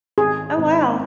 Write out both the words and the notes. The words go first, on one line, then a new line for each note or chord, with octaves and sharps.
Oh, wow.
G#1 G#4
G#2 D#3 C4 D#4